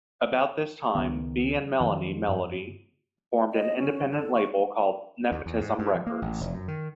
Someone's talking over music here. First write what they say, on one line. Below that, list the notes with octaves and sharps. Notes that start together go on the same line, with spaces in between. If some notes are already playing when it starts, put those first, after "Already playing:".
About this time, Bee and Melleny Melody formed an independent label called "Nepotism Records".
C#2 D#3 B3
F2 D#3
G2
D#5
C#4
A4
C#6
D#2
E2
G#2
G2
F3
A#3
A1
F1
F#2
D#3